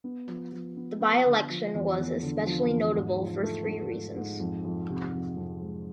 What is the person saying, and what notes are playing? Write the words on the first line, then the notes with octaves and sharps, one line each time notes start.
The by-election was especially notable for three reasons.
B3
F3
F3
B3
B3
D3
F3
E2
E2
D3
F3
E2
G#2
F3
A3
A3
G#2
G#2
F2
F2
C3
F2
F2
G#3